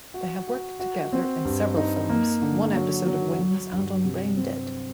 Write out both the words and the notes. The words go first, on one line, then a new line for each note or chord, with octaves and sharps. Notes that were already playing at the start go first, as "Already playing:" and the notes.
They have worked together in several films, one episode of "Wings", and on "BrainDead".
F#4
F#4
F#4
C4
G2
D#4
A#3
D3
F#3
F#3
F#3
G2
C3
C4